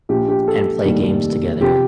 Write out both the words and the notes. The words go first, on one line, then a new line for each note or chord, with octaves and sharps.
and play games together,
A#1 A#2 F3 G4
G4
A4
F1 D#2 D#3 G3
C3 F3 G4